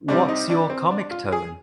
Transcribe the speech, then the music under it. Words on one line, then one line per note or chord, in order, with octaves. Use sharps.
What's your comic tone?
C3 G3 C4 D4
D#4
D4
C4
D4
F4
G#4